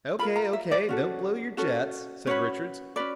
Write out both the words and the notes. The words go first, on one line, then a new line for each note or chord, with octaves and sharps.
"O.K.--O.K.--don't blow your jets," said Richards.
F4 A#4 B5
A#5
E5
D5
C#4 F#4 A4
C#4 F#4 A4
C#4 F#4 B4 C#5
C#4 F#4 B4 D5